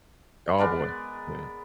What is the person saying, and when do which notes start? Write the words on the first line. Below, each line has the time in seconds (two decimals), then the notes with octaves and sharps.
Oh, boy. Yeah.
0.58 G#3 B3 A#4 D5